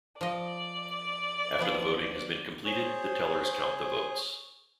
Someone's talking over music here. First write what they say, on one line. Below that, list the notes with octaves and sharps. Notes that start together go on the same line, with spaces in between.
After the voting has been completed the tellers count the votes.
F3 D5 D#5
F3 B3 C4
G#4 C5 C#5